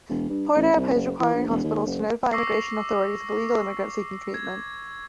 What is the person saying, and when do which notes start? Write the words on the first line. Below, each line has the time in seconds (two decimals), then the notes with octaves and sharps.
Porter opposed requiring hospitals to notify immigration authorities of illegal immigrants seeking treatment.
0.09 E1
0.29 G2
0.56 A1
0.76 C2
0.95 F#1
1.20 E3
1.34 A#1
1.48 E1
1.64 D#2
1.87 F#1
2.33 C#6 D6 E6 A#6 C7
4.34 G#6